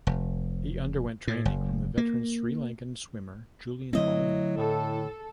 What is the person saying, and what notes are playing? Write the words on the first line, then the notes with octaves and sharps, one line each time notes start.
He underwent training from the veteran Sri Lankan swimmer Julian Bolling.
F1
A2
F#1
A#3
D3 F#3 A3 C4 E4 D#5
A2 A4